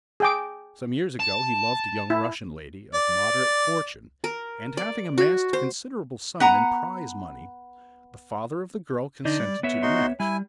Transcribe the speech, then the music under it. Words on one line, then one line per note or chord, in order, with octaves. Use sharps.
Some years ago he loved a young Russian lady of moderate fortune, and having amassed a considerable sum in prize-money, the father of the girl consented to the match.
G#4 G5 D6
A5
E4
D5
A#4
D5
F#4
C5
B3 F#5 A#5
D3 D#4 D5 D#5
G3
B3 C#5 E5
D#4 F#4 C6
G3 E4 G#5